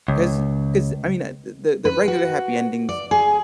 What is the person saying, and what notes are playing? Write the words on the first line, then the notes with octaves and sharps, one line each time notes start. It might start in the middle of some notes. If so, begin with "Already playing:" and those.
'cause 'cause, I mean, uh, the the regular happy endings,
C#2
B4
F#4
D5
G#4